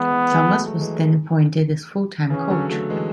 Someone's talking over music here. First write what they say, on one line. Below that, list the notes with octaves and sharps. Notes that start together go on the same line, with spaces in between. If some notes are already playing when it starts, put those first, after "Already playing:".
Thomas was then appointed as full-time coach.
Already playing: E3 G#3 B3
E3 G#3
E3 G#3
F#3 A3
F#3 A3
E3 G#3
C#3 E3 C#4
D3 F#3
F#3 A3
E3 G#3